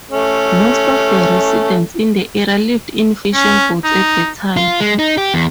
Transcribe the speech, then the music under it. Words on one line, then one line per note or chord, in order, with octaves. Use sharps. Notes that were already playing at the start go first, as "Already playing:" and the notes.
Most of the residents in the area lived in fishing boats at the time.
A3 C#4
C#4
D#4
F4
G#3
D#4
G4
E2